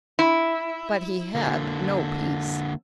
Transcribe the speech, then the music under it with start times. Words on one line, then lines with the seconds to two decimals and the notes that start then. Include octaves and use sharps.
But he had no peace!
0.19 E4
1.35 D3 A#3